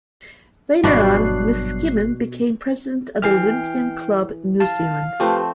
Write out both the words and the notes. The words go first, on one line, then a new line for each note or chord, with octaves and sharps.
Later on Miskimmin became president of the Olympian Club New Zealand.
G#1 G2 B2 F#3 D4 D5 F#6 C7
E3 E5 G5 F6 C7
F5 A5
F3 A3 C4 G4 B4